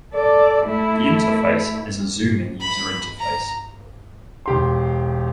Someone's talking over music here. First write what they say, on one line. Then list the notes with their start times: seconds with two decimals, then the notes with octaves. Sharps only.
The interface is a zooming user interface.
0.13 A4 D5
0.65 A3 E4
2.61 B5
3.19 A#5
4.46 E1 G4 C6